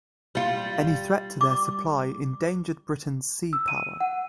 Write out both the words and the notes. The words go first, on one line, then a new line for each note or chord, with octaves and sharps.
Any threat to their supply endangered Britain's sea power.
G3 F4
D6
E6
D#7
F#5